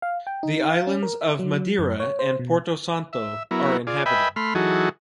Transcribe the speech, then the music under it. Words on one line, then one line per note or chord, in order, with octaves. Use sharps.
The islands of Madeira and Porto Santo are inhabited.
F5
G5
D#4
F5
C#4
A#4
E5
F#3
F#2
C#5
C5
B2
E5
F#3 B3 E4 A#4
F4 G#4 D5
B4 D#5 E5 G5 G#5 B5
A3 B5 C6 F6
E3 F#3 D#4 F#4 G#4 A4